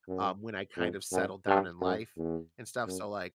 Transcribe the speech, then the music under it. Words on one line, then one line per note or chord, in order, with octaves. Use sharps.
um, when I kind of settled down in life and stuff, so like
F#2
F2
F#2
G2
F#2
E2
F#2